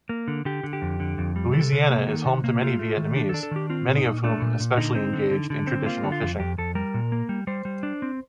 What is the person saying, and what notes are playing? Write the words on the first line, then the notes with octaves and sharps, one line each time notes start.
Louisiana is home to many Vietnamese, many of whom especially engaged in traditional fishing.
A#3
D3
D3 G4
D3
G4
F2
D3
F2
G3
C3 A4
C3
A#3
D#3
C3
A#3
A3 F4
A3
D#3
D4
A4
D4
A4
D#3 G4
C4 F4
A#2
D#4
A#2
A3 D4
A#2
A#2
D3 D#4
C4
D3
D3
D3
C4
A#3 F4
D3
F4
F2
F2 G4
F2 A4
G3 A#4
A#2
A#3
G3
G3 C5
G3
D4
C4